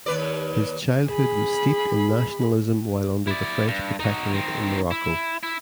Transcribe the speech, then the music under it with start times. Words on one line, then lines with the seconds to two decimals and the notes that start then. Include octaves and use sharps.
His childhood was steeped in nationalism while under the French Protectorate in Morocco.
0.06 D#2 B4 D5
1.08 G#4 B5
3.27 E4 D5
3.68 G2
4.00 D#4 F#4
4.32 D#3 C4
4.91 E4
5.43 E4